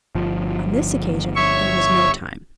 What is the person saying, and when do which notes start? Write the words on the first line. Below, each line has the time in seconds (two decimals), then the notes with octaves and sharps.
On this occasion there was no time.
0.15 G1 F3
1.36 C#5 E5 C#6